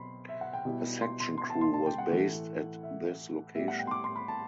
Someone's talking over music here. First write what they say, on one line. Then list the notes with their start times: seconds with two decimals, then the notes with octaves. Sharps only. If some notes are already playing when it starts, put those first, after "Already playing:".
A section crew was based at this location.
Already playing: B2 F#3 C4 B5 C6
0.29 E5
0.41 F#5
0.53 G5
0.65 B2 G3 B3 E4
1.01 C6
1.20 C6
1.38 C6
1.50 A5
1.61 C6
1.74 A5
1.86 G5
1.98 F#5
2.10 A2 E3 A3 E4
2.83 E5
3.55 A2 G3 B3 E5
3.68 F#5
3.79 G5
3.87 C6
3.91 D6
4.04 C6
4.16 B5
4.28 A5